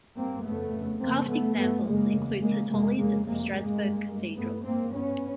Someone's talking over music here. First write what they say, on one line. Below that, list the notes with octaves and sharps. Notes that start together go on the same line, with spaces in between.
Carved examples include citoles at the Strasbourg Cathedral.
G2 A#3 C4
F2 C#3 A3 B3
F2 C#3
F2 C#3 A#3 C4
G2 A3 B3
G2 A3 B3
F#2 C#3 G#3 A#3
E2 C#3
E2 C#3 G#3 A#3
F2 C3 G#3 A#3
F2 C#3 G#3 A#3
F2 C3 G#3 A#3
G#2 G#3 A#3
G2
G2
G2 A3 B3
G#2 A#3 C4
G2 B3 C#4